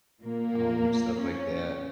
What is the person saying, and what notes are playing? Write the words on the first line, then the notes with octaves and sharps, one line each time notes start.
um, stuff like that,
A#2 A#3
C#4